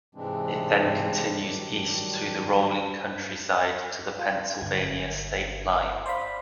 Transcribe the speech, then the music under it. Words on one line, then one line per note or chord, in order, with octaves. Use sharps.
It then continues east through the rolling countryside to the Pennsylvania state line.
G#2 C3 E3 G#3 C4 D4
D#3 F#3 G3 D4
F4
G1 G#6
C5 D5 F5 B5